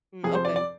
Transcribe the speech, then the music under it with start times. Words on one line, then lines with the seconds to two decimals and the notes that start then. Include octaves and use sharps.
Mm, okay.
0.23 F2 C3 F3 G#4
0.35 C5
0.45 D5
0.56 D5